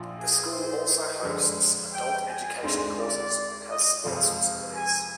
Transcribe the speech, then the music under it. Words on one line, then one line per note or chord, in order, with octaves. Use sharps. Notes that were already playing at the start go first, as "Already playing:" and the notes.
The school also hosts adult education courses and has sports facilities.
Already playing: A#1 A#2 F3
G#4
C5
F2 D3 G#3
G5
G#5
D2 D3 G#3 C4 D#4
D5
D#5
F2 C3 F3 G#3 F5
G#5